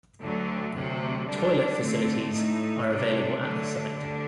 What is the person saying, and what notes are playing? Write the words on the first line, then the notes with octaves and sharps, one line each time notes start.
Toilet facilities are available at the site.
D2 D3 F#3 A3
D2 C3 F#3 A3
D3 G3 D4
D3 A3 C4
A2 A3 D#4
C3 G3 D4
D3 F#3 A3 D4
D2 D3 G3 D4